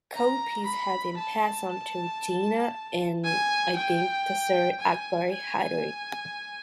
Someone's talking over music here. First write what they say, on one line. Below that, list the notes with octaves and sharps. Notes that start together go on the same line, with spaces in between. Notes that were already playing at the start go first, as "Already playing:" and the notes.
Copies have been passed on to Jinnah, and, I think, to Sir Akbar Hydari.
A#5
B5
A5
G#5
G5
G#5
G#5